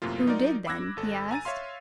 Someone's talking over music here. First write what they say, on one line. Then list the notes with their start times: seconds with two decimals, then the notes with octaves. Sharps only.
"Who did, then?" he asked.
0.02 F#2 A2 C3 A#3 F4
0.27 F#3 D#4 F4 A#4 D5
0.66 B5 D6 E6 F#6 G#6 A#6
0.97 G#1 A4
1.31 G#5 A#5 A6 D#7
1.45 C#5 E5 F5 C6